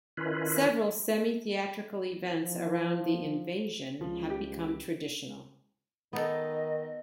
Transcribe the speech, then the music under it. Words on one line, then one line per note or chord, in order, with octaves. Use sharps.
Several semi-theatrical events around the "invasion" have become traditional.
D#3 C#4 E4 F4 B4
F3
C#2 F3
G4
D#3 B3 D#4 A4 D#5